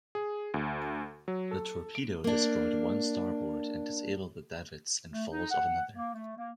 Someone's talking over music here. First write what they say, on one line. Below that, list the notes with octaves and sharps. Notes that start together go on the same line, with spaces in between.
The torpedo destroyed one starboard and disabled the davits and falls of another.
G#4
D2
F#3
A4
D7
A#3 D4
A3
D#4
F#5
A#3
A3
A#3